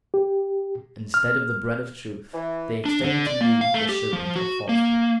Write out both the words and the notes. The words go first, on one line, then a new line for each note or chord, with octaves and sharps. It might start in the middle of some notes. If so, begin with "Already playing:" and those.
Instead of the bread of truth, they extended to you the serpent of falsehood.
G4
F6
E3
D4
D3
D5
A#3
F5
A3
G4
F3
F#4
A#3